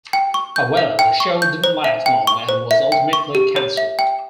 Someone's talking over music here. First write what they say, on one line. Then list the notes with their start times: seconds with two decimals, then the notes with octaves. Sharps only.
However, the show didn't last long and was ultimately cancelled.
0.13 G5
0.34 C#6
0.56 G6
0.77 E5
0.99 G5
1.20 C#6
1.42 G6
1.64 C5
1.84 E5
2.06 G5
2.27 C#6
2.49 C5
2.71 E5
2.92 G5
3.13 C#6
3.35 G4
3.56 C#5
3.77 E5
3.99 G5